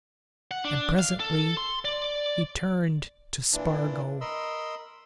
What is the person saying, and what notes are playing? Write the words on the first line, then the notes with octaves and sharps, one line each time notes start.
And presently he turned to Spargo.
F#5
D4
F5
A4
C6
D5
A#2 E3 D4
A#4 D#5 B5 C6 E6